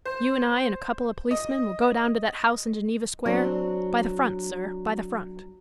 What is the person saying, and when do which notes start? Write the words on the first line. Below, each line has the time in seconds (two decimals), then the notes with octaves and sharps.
"You and I and a couple of policemen will go down to that house in Geneva Square--by the front, sir, by the front."
0.05 C5
1.31 D#5
3.26 F#3 C4 D4